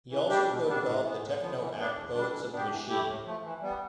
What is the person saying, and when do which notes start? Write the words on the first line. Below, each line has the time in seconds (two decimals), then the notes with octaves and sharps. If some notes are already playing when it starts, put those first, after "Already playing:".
He also co-developed the techno act Poets of the Machine.
0.11 E3
0.29 G3 D4 G4
0.49 B2
0.66 G3 B3 D4
0.85 A2
1.03 E3 B3
1.21 A2
1.41 F3 B3
1.59 E3
1.78 B3 D4
1.96 E2
2.15 D3 G3 D4
2.32 E3
2.52 B3 D4 G4
2.70 E3
2.89 A3 E4 G4
3.06 A2
3.25 F3 A3
3.44 E3
3.62 G3 B3